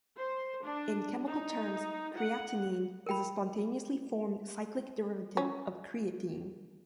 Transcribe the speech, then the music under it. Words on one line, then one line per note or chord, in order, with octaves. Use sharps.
In chemical terms, creatinine is a spontaneously formed cyclic derivative of creatine.
C5
D4
D#4
F#5
A#4 G5 B5
C#4